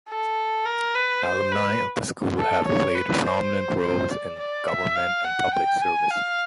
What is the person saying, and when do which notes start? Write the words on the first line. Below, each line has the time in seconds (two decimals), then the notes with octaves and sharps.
Alumni of the school have played prominent roles in government and public service.
0.09 A4
0.66 A#4
0.95 B4
1.23 C5
1.52 B4
2.39 A4
2.66 C#5
2.95 B4
3.24 C5
3.81 C5
4.11 D5
4.39 D5
4.68 E5
4.96 F5
5.24 F#5
5.53 G5
5.82 G#5
6.10 F5